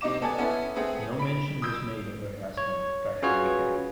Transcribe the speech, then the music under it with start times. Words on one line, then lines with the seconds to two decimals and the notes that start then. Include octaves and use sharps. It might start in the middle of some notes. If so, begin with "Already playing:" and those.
No mention was made of her husband Pat Hannigan.
0.01 C3 D#4 D#5 D6 E7
0.21 B3 A4 D5 G#5 A5
0.38 B3 C#4 E4 A4
0.76 A3 B3 C4 G#4
1.19 B5 D7
1.62 D#6 E6 G6 D7
2.57 C#5
3.23 C#4 F4 F#4 G#4 B4 C#5